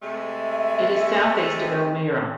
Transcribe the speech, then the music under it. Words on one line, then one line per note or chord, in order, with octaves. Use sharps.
It is southeast of Elmira.
C3 G#3 A3 E5